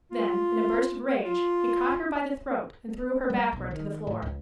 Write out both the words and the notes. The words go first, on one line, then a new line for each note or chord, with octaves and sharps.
Then, in a burst of rage, he caught her by the throat and threw her backward to the floor.
F4
F4
G3
B1
D#3
A2
C#2